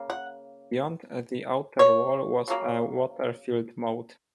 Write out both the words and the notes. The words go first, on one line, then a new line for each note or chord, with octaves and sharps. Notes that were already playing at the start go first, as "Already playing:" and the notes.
Beyond the outer wall was a water-filled moat.
Already playing: C#3 A#3
F#5
C#5
C#3 F#3 A#3